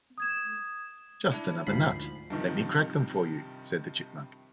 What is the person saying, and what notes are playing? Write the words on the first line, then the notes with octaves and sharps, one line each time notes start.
"Just another nut; let me crack them for you," said the chipmunk.
D#6 G#6 E7
D4 E4
D2 G#2 F3 B5 C7
G2 C3 D#3 F3